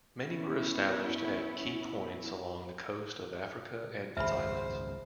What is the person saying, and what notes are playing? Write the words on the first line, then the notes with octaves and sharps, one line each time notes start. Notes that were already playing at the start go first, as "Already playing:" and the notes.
Many were established at key points along the coast of Africa and its islands.
B3 C#4 E4
G#1 C#2 F#2 G#4 C5 E5 B5 F6